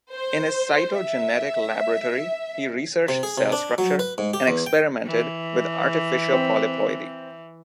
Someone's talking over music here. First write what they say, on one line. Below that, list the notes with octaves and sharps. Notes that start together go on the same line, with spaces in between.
In his cytogenetic laboratory, he researched cell structure and experimented with artificial polyploidy.
C5
E5
C3
G#4
C3
D4
F#3
B4
G#2
G4
E2
G5
E3
C4